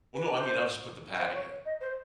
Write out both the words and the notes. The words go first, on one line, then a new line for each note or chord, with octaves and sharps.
Well, no, I mean, I'll just put the patty in
B4
C5
C5
C#5
D#5
C5